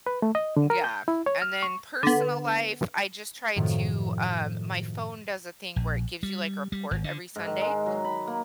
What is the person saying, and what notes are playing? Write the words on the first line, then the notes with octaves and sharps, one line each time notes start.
yeah, and then personal life, I just try to, um my phone does a thing where it gives you, like, a report every Sunday
B4
A3
D#5
D3
A#4
G6
E4
C#5
F6
C#6
D3 B3
F#2 A2 C3 D#3 F3
A#1
G3
G3
G#1
D3
G#2
D#3
G#3
F#3
B5
A#3